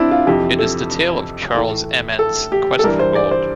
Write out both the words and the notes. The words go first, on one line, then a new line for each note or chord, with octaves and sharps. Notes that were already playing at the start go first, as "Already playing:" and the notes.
It is the tale of Charles Amand's quest for gold.
Already playing: C4 D4 E4
F4
F2 C3 E3 G4
A4
A2 E3 A3
A4
G4
A4
G2 E3 G3 A#4
C5
D5
C5